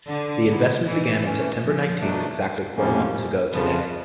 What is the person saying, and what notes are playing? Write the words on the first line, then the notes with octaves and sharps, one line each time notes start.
The investment began on September Nineteenth, exactly four months ago today.
D3
F2 C#3 F#3 B3 E4
E3
E3 A3 C#4
F3
B2 F#3 A3 D4
F2 C3 F3 G3 A#3 C#4
F2 C#3 F3 B3